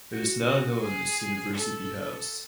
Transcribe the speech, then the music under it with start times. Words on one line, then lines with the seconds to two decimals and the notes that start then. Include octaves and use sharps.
It is now known as University House.
0.11 F#4
0.47 F#4
0.82 G#4
1.53 A4